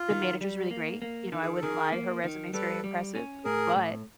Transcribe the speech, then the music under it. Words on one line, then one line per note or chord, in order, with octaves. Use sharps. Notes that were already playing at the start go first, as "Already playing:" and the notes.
the manager's really great. You know, I wouldn't lie. Her resume is very impressive, but
Already playing: F4
D#3
G3
A#3
A#3
D#3
G#4
A4
D#3 G#4 A#4
A#3
D#3
G3 A4 B4
G3
C#4
A2 G#4 A#4
A2